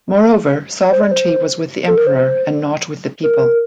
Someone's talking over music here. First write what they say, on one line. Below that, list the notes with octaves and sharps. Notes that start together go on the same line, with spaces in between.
Moreover, sovereignty was with the Emperor and not with the people.
C5
D5
C5
A4
A#4
C5
A#4